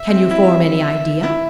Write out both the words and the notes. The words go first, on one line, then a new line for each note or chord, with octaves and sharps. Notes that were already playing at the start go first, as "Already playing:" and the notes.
Can you form any idea?
Already playing: E5
C4
E4
E4